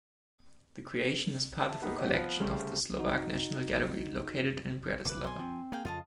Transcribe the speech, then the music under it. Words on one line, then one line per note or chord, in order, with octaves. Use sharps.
The creation is part of the collection of the Slovak National Gallery located in Bratislava.
E5 A5
A#3 B3 D#4 G4 G#4
G3 F#4 G4 C#5 D#5
F3 B3 B4 F5 F#6
C2 C#3 G3 A3 C5 C6
D#4 F#4
F1 D2 B4 D6
B1 B2 G#5 C6
F3 C4
A#3 G#4 F5 G5
F2 C#3 F4 D#5 A5